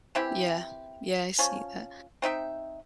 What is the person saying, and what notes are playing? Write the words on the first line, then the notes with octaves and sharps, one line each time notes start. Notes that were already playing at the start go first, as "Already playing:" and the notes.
Yeah, yeah, I see that.
E3 C4 E4 G4
F3 C#4
C4 D#4 E5 G5